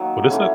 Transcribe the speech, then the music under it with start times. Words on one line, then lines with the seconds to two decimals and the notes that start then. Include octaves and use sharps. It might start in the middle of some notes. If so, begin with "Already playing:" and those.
What is it?
Already playing: D#3 F#3 A#3
0.29 E3 A3 C#4